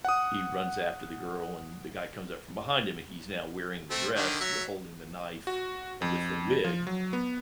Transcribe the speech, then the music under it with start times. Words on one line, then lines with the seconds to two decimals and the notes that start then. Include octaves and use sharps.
he runs after the girl, and the guy comes up from behind him, and he's now wearing the dress, while holding the knife and with the wig,
0.05 F#5 D#6
3.91 A3 C4
4.16 D3 D#3
4.40 F#3 E5
5.47 F#4
6.02 F2
6.64 F3
6.87 F#3
7.13 B3